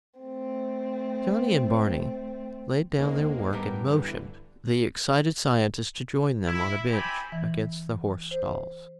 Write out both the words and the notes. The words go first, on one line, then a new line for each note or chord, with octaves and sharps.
Johnny and Barney laid down their work and motioned the excited scientist to join them on a bench against the horse stalls.
A3 C4
D#2 D#3 G#3 A#3 C4
G2 G3 B3 A#4
D3 E3
E4
C4 E4 G4 G#5 B5
E3
C5